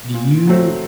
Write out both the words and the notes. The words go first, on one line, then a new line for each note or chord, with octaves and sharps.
Do you
A#2
F#3 A3 C4